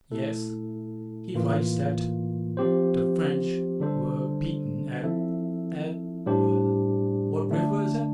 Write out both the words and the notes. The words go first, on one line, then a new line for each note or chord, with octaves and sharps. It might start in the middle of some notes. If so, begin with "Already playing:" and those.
"Yes, he writes that the French were beaten at... at... what river is it?"
A#2 A3 E4 A4
A2 E3 A#3 F4
F3 C4 G4 C5
D3 G3 D4 A4 C5
F3 C4 E4 A4 E5
A2 G3 D4 G4 C5
D3 A3 D4